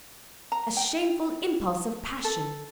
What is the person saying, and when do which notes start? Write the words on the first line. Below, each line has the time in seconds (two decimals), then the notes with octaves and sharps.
A shameful impulse of passion.
0.52 A#5
0.77 G5
2.24 A4